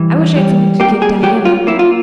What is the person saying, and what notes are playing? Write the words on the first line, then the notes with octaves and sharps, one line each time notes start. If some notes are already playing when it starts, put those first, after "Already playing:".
I wish I had something to give Diana.
Already playing: E3 G3
G3
A#3 G4
G#4
F#3 G4
F4
A#3 E4
F4